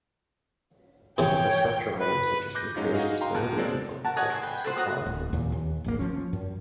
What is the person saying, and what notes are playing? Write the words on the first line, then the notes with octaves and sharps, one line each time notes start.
Infrastructure items such as recreation facilities and booking services require improvement.
C3 E3 C#5 G5
B4
D6 F#6 G6 A#6
F#3 G#3 C#4 D#4 F4
D#4 F#4 G#4 D#5 F5
F5 G5 A#5 C6
E2 A5 F#6
F#3 G#3 A#3 C4 A4 D5
F#4 A#4 A5
C#5 D#5 F#5 G#5
C5 G#5
B4 G5
A4 B4 C5 F#5
F#4 A#4 B4 D#6
D1
D#2 A#2
D#2
D1 G#1 A#3
F3 C#4
F#2